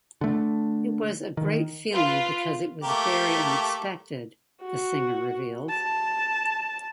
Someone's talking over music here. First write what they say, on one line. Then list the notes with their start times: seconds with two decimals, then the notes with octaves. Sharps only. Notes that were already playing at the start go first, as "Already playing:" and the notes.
It was a great feeling because it was very unexpected, the singer revealed.
0.21 D3 A3
1.37 D#3
1.92 F4 B4
2.83 A3 A#3 G4
4.62 F#4
5.70 A5